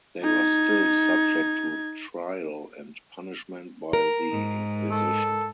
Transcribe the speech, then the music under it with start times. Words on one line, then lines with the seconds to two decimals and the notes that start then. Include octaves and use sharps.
They were still subject to trial and punishment by the inquisition.
0.23 D#4 G#6
3.93 A#4
4.31 G#2
4.91 A4